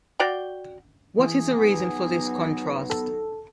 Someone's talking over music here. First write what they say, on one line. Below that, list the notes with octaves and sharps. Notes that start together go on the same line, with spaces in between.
What is the reason for this contrast?
F#4 D5 F5 G5
E3 G#4
F#3 B3 D#4
A4